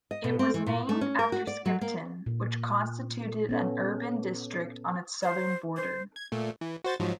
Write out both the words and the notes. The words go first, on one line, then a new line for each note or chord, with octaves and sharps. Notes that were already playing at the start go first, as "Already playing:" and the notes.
It was named after Skipton, which constituted an urban district on its southern border.
D#5
B2
C4
E3
A#2
A3
C#4
A#4
F#4
D5
F#3
A#3
A#2
B3 C#4 A4
C5
C5
G#6
A#2 A3
E3
F#4 C5 A6
G#2 F3 F#3